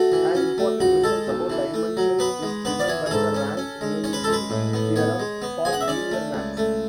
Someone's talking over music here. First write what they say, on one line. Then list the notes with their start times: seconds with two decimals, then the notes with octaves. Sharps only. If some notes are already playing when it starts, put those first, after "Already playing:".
An important result about dimensions is given by the rank-nullity theorem for linear maps.
Already playing: A3 F#4
0.12 E3
0.35 C#4
0.58 A3
0.80 C#2 F#4
1.03 G#3 A4
1.27 B1
1.50 E3
1.74 A3
1.97 F#3
2.19 B3 B4
2.43 G#3
2.65 B3 B4
2.79 D5
2.88 E3 C#5
3.06 G#4
3.11 G#2 A4
3.34 C#4
3.57 C#4
3.81 G#3
4.04 C#4 C#5
4.13 B4
4.24 G#3 A4
4.33 B4
4.50 A2
4.73 B3
4.96 B3 C#5
5.19 G#3
5.42 B3
5.65 G#3 G#5
5.73 F#5
5.81 E5
5.88 C#4 D5
6.11 A3
6.34 C#2
6.57 A3